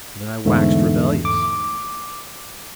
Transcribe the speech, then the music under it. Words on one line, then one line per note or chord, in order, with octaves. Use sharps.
Then I waxed rebellious.
E2 G#2 D3 A3
D6